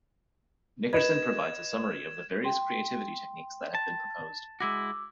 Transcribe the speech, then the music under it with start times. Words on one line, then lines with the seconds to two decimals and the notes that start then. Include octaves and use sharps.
Nickerson provides a summary of the various creativity techniques that have been proposed.
0.93 B4 D#5 G#6 E7
2.44 G5 C6
3.75 A5
4.60 G#3 E4 F#4 D6 E6